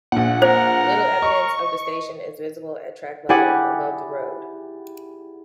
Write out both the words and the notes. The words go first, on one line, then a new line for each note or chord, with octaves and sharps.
Little evidence of the station is visible at track level, above the road.
A#1 A#2 F#5
A#4 C5
D#5 C#6
E4 G4 G#4 D5 F#5 G#5